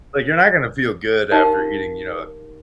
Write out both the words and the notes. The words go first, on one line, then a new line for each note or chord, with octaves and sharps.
like, you're not gonna feel good after eating, you know, a
D#4 G4 A#4 F5